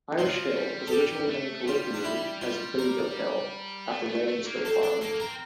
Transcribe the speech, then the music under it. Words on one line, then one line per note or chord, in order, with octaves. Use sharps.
Irish Hill was originally known colloquially as "Billy Goat Hill" after Whalen's goat farm.
F3 F4
G3
A4
G3 G4
A3
G3 F4
D4
E4
G3 F4
A#4
A3
A3
A3
A#3
D4
C4 A4
D4 A4
A#3 A4
A#3
C4 A#4